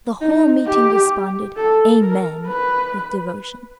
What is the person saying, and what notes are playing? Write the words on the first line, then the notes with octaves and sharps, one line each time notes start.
The whole meeting responded "Amen!" with devotion.
D#4
G4
A4
A#4
B4